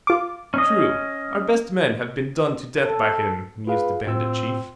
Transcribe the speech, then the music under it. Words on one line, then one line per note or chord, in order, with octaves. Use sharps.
"True, our best men have been done to death by him," mused the bandit chief.
F4 D6
C#4 D#5
A4
F4 G#4 B4 F5
A2 C4 F4 E6